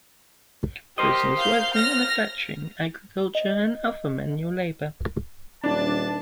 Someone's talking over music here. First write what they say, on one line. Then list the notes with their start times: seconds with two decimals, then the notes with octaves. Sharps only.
Prisoners worked in manufacturing, agriculture and other manual labor.
0.98 G4 A#4 C5 D#5
1.37 F5 G6
1.74 F6 A#6
3.35 D#5
5.64 D#1 D4 A5